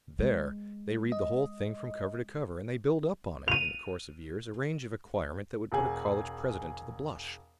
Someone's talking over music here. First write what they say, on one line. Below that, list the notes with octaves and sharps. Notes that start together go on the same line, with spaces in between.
There they read the whole thing from cover to cover, and they build up on it, in the course of years, a range of acquirement that would put a college president to the blush.
G#3
D#5
D#7 F7
E1 G#4